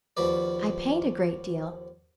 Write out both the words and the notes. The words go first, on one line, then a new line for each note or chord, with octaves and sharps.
'I paint a great deal.
D#2 F3 F#4 B4 D5